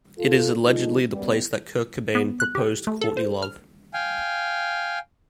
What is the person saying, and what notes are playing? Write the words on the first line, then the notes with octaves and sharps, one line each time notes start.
It is allegedly the place that Kurt Cobain proposed to Courtney Love.
G#2 F4 A4
D3 F3 G#3 D#4 F4
F#2 G3 B3
B3
F#6
G4
A3
A4
C5
F6
F5 G5 G#5